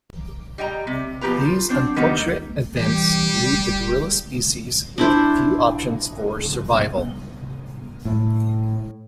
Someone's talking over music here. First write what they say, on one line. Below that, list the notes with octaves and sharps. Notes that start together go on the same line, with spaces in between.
These unfortunate events leave the gorilla species with few options for survival.
G3 D#5 G5 A#5
C3
B2 F3 G4 B4 A#5
F4
F#3 C4 D4
D#3 G3 A#3 B3 D#4
E3 G3 G4
F1
D4 E4 C5
A2